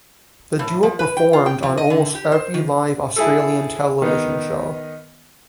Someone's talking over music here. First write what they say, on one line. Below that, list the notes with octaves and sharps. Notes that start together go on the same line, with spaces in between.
The duo performed on almost every live Australian television show.
A2
F3
B4
G5
F4
G5
F3
D#5
D3
G4
C5
D#3
E4 G#4 A4
D#3 B3 D#4